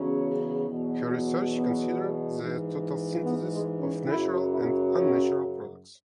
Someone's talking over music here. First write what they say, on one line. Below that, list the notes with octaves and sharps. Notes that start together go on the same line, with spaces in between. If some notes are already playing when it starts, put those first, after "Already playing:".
Her research considers the total synthesis of natural and unnatural products.
Already playing: E2 C#3 F#3 C#4
E2 B2 F#3
B3
G#2 E3
B3
G#3
C#4
F#2 C#3 F#3 E4
E4
C#4